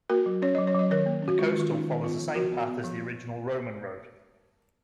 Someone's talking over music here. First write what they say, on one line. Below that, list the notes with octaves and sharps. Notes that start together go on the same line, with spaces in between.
The coastal follows the same path as the original Roman road.
A#3 F#4 A#4
F#3
C#4 C#5
F#3 D#5
C#5
F#3 D#5
D#3 A#4 C#5
A#3
C#4
F#4
G#3 F4
D#3 F4
C#4 D#4
D#3
B3 F4
F3
F3 F#4 A#4
B3
B3
F3